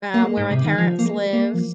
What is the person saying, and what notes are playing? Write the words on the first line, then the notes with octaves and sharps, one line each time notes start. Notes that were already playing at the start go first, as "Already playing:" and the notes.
um, where my parents live,
A#3
G#3
G#2
C3
D#3
F3
A#3
G#3
A#3
F3